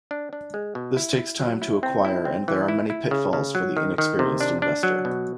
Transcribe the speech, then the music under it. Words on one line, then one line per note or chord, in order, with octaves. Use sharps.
This takes time to acquire and there are many pitfalls for the inexperienced investor.
D4
D4
G#3
B2
E4
E4
F#3
E4
C4
E4
C4
E3
E4
E4
C#3
C#3
F#3
D#3
D#3
C3
D4
D4
F#3
B2